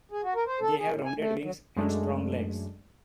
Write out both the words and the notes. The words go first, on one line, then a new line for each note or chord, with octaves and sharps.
They have rounded wings and strong legs.
G#4
F#4
A#4
C5
A4
G#4
A2
G#5
A3
F#3
F#2 G#3 A3 D4